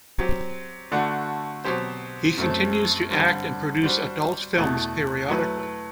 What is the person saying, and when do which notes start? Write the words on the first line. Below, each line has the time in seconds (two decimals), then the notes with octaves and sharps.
He continues to act and produce adult films periodically.
0.19 F#3 C4 G4
0.91 D3 A3 D4 F#4
1.65 B2 F#3 C4 G4 C5
2.37 F#2 F#3 A3 C4
3.10 G2 D3 G3 C4
3.83 G3 D4 F#4 C5
4.56 E2 B2 A3 E4
5.29 F#3 A3 E4 B4